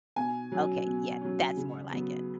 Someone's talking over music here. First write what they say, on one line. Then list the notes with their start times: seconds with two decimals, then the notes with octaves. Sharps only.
Okay, yeah, that's more like it.
0.16 B2 G#5
0.52 F#3 C#4
0.86 B2
1.21 F#3 C#4
1.56 C#3
1.91 F#3 B3